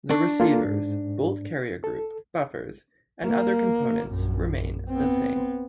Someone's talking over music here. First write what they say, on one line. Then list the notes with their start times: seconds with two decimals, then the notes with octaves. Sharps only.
The receivers, bolt carrier group, buffers, and other components remain the same.
0.10 D4 C#6
0.40 A#3 F4 A4
0.64 G#2
1.84 A4
3.26 A#3
4.09 A#1 F#2
4.90 B3 C4